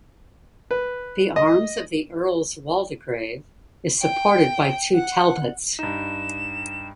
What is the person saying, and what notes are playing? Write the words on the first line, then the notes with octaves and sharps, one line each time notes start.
The arms of the Earls Waldegrave is supported by two talbots.
B4
D#5
G5
F#5
G2 D#4 E7